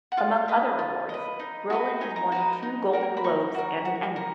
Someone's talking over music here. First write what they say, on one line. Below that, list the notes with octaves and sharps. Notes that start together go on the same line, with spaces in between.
Among other awards, Brolin has won two Golden Globes and an Emmy.
F#5
F4 F5
B4 D#5
F4
B4 D#5
D#4
F#4 B4 D#5
D#4 G#5
A#5
F#4 B4 D#5 A#5
D#4
F#4 A#4
B5
D#4 C#6
F#4 A#4
F#4
A#4